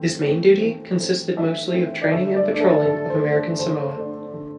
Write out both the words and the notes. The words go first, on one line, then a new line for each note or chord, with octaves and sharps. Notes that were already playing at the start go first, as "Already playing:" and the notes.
His main duty consisted mostly of training and patrolling of American Samoa.
Already playing: E3 A3 C4
A3 C4
E3
A3 C4
E3 E5
A3 C4
D5
D3 E5
D5
A3 D4
A4
D3 A4
C5
A3 D4
A4
D3 C5
A3 D4
D3